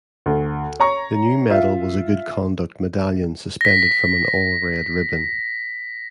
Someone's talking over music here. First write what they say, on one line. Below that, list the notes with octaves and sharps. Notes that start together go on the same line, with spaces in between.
The new medal was a Good Conduct medallion suspended from an all red ribbon.
D2
C#5 A#5 C#6
F4 E5
A#6 B6